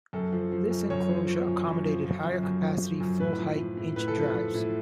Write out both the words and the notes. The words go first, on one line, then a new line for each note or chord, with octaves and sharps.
This enclosure accommodated higher capacity, full-height -inch drives.
F#2 A4
F3
F3
F#2
F#2 C#5
F3
F3
F#2
F#2
F3
F3
F#2
F#2
F3
F3
F#2
A2 B4
F3
F3
A2
A2 B4
A4
F3 B4
F3
A2